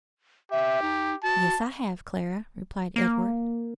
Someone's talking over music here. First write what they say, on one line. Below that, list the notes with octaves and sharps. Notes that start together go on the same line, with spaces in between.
"Yes I have, Clara," replied Edward.
G4 E5
D#4
F#4 A5
A#3